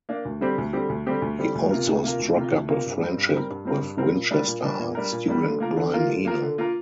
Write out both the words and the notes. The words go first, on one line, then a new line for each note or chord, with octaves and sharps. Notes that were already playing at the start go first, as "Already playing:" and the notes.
He also struck up a friendship with Winchester art student Brian Eno.
A#3 D4
D2
D3 G3 C4 G4
D2
D3 G3 C4 G4
D2
D3 G3 C4 G4
D2
D3 G3 C4 G4
D2
C3 A#3 F4 A#4
D2
C3 A#3 F4 A#4
D2
C3 A#3 F4 A#4
D2
C3 A#3 F4 A#4
G2
G3 C4 A#4
G2
G3 C4 A#4
G2
G3 C4 A#4
G2
G3 C4 A#4
A#2
G3 D4 A#4
A#2
G3 D4 A#4
A#2
G3 D4 A#4
A#2
G3 D4 A#4
D3
A#3 F4 A#4
D3
A#3 F4 A#4
D3
A#3 F4 A#4
D3
A#3 F4 A#4